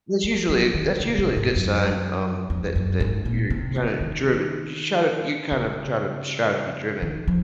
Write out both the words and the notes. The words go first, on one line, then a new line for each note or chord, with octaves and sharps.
that's usually that's usually a good sign, um, that that you're kinda drive you're try to you're kinda trying to trying to be driven,
G#3
F#3
D#3
C#3
C3
G#2
F#2
F2
F#2
G#2
A#2
C3
C#3
D#3
C#3
D#3
F3